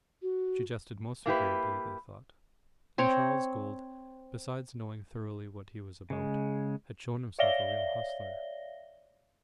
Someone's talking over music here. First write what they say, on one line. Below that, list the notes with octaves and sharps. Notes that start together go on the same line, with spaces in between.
She jested most agreeably, they thought; and Charles Gould, besides knowing thoroughly what he was about, had shown himself a real hustler.
F#4
A#3 E4 G4 B4
C4 C#5 G5 A#5
C#3 G#3
C#5 D5 E5 F5 A#6 G7